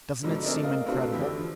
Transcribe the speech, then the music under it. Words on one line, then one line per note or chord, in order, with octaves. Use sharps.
Doesn't it seem incredible!
G#2 B2 D3 F3
A3 C4 G#4 A#4 D5 E5
A#4 D#5 F5
A3 B3 C4 D4 F4 F#4
E2 D3 E4 G4
F3